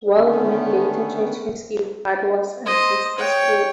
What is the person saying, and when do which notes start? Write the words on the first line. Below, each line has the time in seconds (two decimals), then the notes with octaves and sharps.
Wildman later tried to escape, but was unsuccessful.
0.16 D3 D#3 A3 B3 C#4
2.66 C5 D#5
3.18 C#5 G5